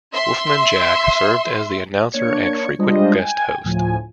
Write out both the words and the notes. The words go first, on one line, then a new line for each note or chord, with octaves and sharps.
Wolfman Jack served as the announcer and frequent guest host.
E5 C6
A#3 D4 C#5 G#6 C#7
G3 G#3 D4 F4 C5 D#5
G5 G#5 G#6
D2 A2 F3 G#5